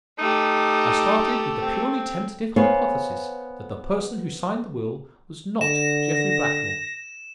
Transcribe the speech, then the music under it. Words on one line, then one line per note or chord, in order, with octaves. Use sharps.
I started with the purely tentative hypothesis that the person who signed the will was not Jeffrey Blackmore.
A3 D#4 G4
C4
B3 C5 C#5 F5 G#5
D3 A#6 E7